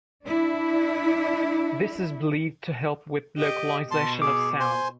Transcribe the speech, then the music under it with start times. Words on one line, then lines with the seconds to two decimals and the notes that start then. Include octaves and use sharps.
This is believed to help with localization of sound.
0.25 D4 E4
3.38 G4 D#5
3.91 B2 A5 C6
4.22 G#4 D6
4.60 C5 G#5 C6